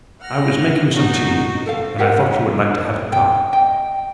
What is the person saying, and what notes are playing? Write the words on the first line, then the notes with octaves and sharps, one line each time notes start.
"I was making some tea, and I thought you would like to have a cup."
F#5 F6 A#6
D#4 F#4
A4 C5 F5
F#4 G4 A#4 F#5
D#4
G5
D#5 G5